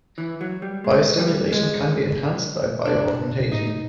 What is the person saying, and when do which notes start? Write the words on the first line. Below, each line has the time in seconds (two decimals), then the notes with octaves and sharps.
Biostimulation can be enhanced by bioaugmentation.
0.18 E3
0.41 F#3
0.62 G3
0.84 G#3
1.19 G3
1.52 G#3
2.86 D4
3.52 D#4